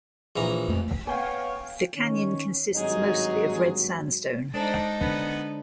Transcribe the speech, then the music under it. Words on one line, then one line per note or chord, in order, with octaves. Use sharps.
The canyon consists mostly of red sandstone.
A#1 E3 A#5
F2 A3
B3 C#5 F5 G5 G#5
D#3 C#4
G#1 G2 F#3 D#4 G#4
G#3 D4 D#4 A4 C5 A5
D3 B3 D4